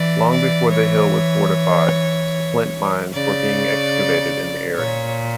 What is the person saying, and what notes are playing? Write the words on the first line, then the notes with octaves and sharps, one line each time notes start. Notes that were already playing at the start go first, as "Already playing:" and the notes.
Long before the hill was fortified, flint mines were being excavated in the area.
Already playing: E3 D5
D5
C#5
C#3 D5
A#2 C#5